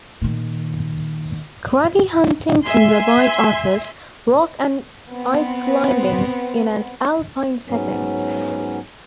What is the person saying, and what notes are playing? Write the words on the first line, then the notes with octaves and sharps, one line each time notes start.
Craggy Huntington Ravine offers rock and ice climbing in an alpine setting.
A#2 D#3
E5 G#5 C6
B3 C4
G#2 F#3 B3 C#4